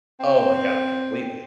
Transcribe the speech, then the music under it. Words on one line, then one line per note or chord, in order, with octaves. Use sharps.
Oh my god, completely.
C4